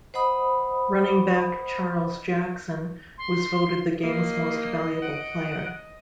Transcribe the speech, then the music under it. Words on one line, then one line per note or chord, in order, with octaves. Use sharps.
Running back Charles Jackson was voted the game's most valuable player.
C5 D#5 F#5 B5 D#6
C6
A#3 D#5 C7
F#5 D7